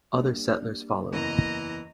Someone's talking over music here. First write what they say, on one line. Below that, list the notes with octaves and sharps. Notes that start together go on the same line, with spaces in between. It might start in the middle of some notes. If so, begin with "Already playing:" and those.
Other settlers followed.
G3 A#3 D4
F#1 E2 E3 A#3 D#5 A#5